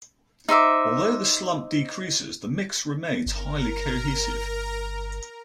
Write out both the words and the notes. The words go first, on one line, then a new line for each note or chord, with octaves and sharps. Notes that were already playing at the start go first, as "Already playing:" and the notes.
Although the slump decreases, the mix remains highly cohesive.
D#4 C5 E5 D6
G1 A#4 A#5